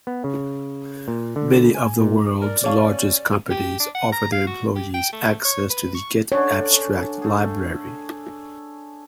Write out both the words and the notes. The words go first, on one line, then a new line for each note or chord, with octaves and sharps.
Many of the world's largest companies offer their employees access to the getAbstract Library.
B3
C#3
A#2
D3
G#5
A#2
D#4 A#4 D5
C#4 G#4 C#5 F5 A5 C#6
G4
D4
F#5
A#5
F5
F#4
G4
G5
A3
C#5
B4
C#6
D3 C#4 D4 C#5
A3 G#4